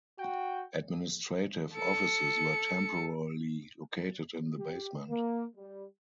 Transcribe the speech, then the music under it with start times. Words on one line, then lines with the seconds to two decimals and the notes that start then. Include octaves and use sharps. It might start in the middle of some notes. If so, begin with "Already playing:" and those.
Administrative offices were temporarily located in the basement.
0.19 F#4 G5
1.74 A4 C#7
4.58 G4
5.09 A#3
5.57 G3